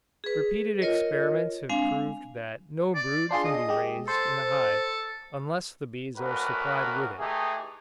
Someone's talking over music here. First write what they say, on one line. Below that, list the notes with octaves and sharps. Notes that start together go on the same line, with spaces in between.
Repeated experiments have proved that no brood can be raised in a hive, unless the bees are supplied with it.
G#4 B4
F4 A#4 C#5 D#5
G#3 C4 D4 F5 G#5
D5
D4 F4 G#4 C6
D#5
G#3 G4
A4 C5
A#1 A2 F#4 A#4 B4
E3 A3 D#4 G4 G#4